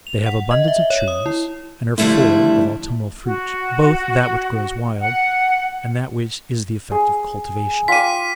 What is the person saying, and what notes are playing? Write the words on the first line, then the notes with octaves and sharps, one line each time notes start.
They have abundance of trees, and are full of autumnal fruit, both that which grows wild, and that which is the effect of cultivation.
F7
F#5
D#5
E5
C#5
D#6
E4
D3 F3 G3 A3 D4 E4
F#4
F#5
G#4
F4 G5 D6 B6 D#7